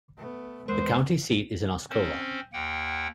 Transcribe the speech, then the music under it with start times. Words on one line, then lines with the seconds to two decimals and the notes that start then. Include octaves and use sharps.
The county seat is Osceola.
0.17 A3 B3
0.68 E2 G#3 B3 A#4 C5
1.90 C4 C#4 C5
2.53 D#2 A#3 F#5 G5